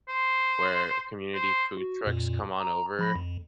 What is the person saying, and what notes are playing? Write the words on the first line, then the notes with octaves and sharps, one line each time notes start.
where community food trucks come on over,
C5
C5
F#4
F2 A#2
A#5
F3 B5 A#6
F2